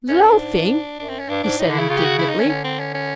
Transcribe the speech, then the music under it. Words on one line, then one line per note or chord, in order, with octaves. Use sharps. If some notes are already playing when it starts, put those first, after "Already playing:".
"Loafing!" he said indignantly.
F#2 C#4
G2
D4
G#2
F#2 D4
C4
C#4
G2 D4
G#2 D4
A2 D#4
D3
E4
C#3
C#3 F4
G4
F#4
E4
D#4
C#4
D#3
D3 C#4
C4
C#4
C#4